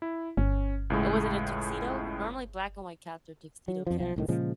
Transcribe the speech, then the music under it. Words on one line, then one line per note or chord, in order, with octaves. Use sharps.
Oh, was it a tuxedo? Normally, black and white cats are tuxedo cats.
E4
G1 C#4
C#2 A2 G#3
F#3
F2 F3
B1 F3
C2 A2 D#3
A#2 C#3 F3 G#3